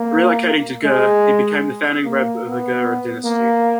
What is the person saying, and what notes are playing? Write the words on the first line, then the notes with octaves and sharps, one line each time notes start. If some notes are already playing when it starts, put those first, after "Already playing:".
Relocating to Ger, he became the founding rebbe of the Gerrer dynasty.
Already playing: A#3
G#3
A#3
B3
A#3